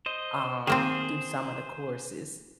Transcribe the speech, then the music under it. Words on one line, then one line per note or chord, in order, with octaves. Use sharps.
um, do some of the courses.
C5 D#5
D#3 A#3 C4 G#4 C5